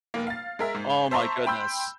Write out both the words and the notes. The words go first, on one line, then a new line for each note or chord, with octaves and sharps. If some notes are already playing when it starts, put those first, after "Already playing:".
oh my goodness.
F1 A#3
F5 A6
G#3 A#4 E5
G#2
C5 E5 A5 A#5 C6 C#6
G5 B5 C6 E6 G6